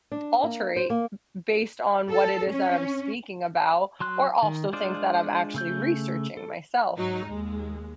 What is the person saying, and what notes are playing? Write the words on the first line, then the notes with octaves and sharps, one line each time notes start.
d alterate b based on what it is that I'm speaking about, or also, things that I'm actually researching myself,
D4
A#3
C5
A#3
A4
C#4
F#3 C6 F#6
D#3
G#3 D4 F4 C5 D5
C#3 A3 G6
A4
G#2 F#3 D#4
D#2 G#3